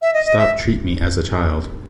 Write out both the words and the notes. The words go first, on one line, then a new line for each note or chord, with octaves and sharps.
Stop treat me as a child.
E5
D#5
D#5
E5